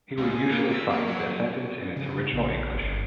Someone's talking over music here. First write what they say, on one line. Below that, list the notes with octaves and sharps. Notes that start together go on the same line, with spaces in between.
He will usually cite the sentence in its original English.
C#2
G#4
A#3
E5
A#3
F#3
C#3
A#1
G1